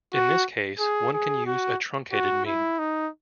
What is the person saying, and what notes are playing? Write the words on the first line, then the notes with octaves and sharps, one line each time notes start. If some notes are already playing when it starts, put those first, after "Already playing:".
In this case, one can use a truncated mean.
F#4
G#4
G#4
F#4
F#4
E4
D#4